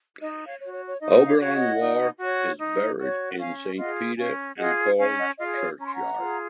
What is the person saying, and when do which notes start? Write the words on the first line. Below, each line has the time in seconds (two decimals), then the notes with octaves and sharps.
Auberon Waugh is buried in Saint Peter and Paul's churchyard.
0.20 D#4 D#5
0.47 C#5 F5
0.61 F#4 C#5
0.73 C#5
0.89 C#5
1.00 D#4 D#5
1.20 F#5
1.27 C#5 F5
1.40 F#4 C#5
1.48 F5
1.53 D#5 F#5
1.80 D#4
2.19 F#4 C#5
2.60 D#4
3.00 F#4 C#5
3.32 F#5
3.39 C#4 F5 G#5
3.79 F4 G#4 D#5 F#5
4.18 C#4 F5 G#5
4.58 F4 G#4 D#5 F#5
4.98 C#4 F5 G#5
5.18 D#5 F#5
5.38 F4 G#4 D#5
5.53 D#5
5.58 C#5
5.78 C#4 A#5
5.86 C6
5.94 F#5 A#5
6.17 F4 G#4